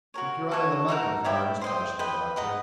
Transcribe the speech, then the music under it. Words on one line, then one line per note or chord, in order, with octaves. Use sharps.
"Keep your eye on the mutton, Carnes," cautioned the doctor.
F#4 A#4 C#5
F#4 A4 C#5
D#4 F#4 A#4
C#5 E5 G5 B5
C5 D#5 G5
B4 D#5 G5
B4 D#5 F#5 A#5